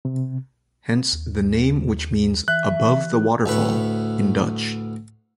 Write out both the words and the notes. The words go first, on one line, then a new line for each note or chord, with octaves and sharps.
Hence the name which means "above the waterfall" in Dutch.
C3
D#2
E3 E5 F#6
D2 A2 B4